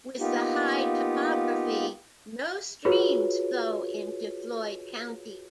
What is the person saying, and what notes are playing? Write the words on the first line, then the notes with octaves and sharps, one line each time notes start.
With the high topography, no streams flow into Floyd County.
A#3 B3 D#4 F4 G4
F4 F#4 G#4 B4 C#5